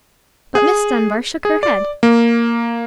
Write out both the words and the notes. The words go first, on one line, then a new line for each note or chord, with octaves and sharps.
But Miss Dunbar shook her head.
G#4
G#4
D5
A#3